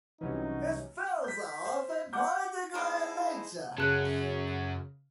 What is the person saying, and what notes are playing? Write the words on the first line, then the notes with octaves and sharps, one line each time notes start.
His films are often political in nature.
C2 C3 E3 F#3 C#4 D#4
G6 B6
C5
F#5 D6 G6
A#3 B3 D#4 E4 G#4 C5 A5
F#2 C#3 F#3 C#4 A5 F#6 F#7